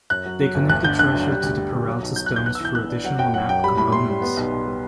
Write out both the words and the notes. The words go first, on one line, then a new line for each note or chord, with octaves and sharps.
They connect the treasure to the Peralta Stones through additional map components.
F#2 F#6
F#3
F#3
G1
D2 F#6
D3 G6
D3 F#6
F#3
G3
D2
G3
D2
F#3
B1
F#3 G6
F#6
B1 G6
B3 F#6
E6
E3 G6
B3 F#6
D4
F#3 F#5
F#2 G5
F#3 F#5
F#2 G5
G3 B5
A2 B5
A2 C6
G3
B3
B1
B1
G3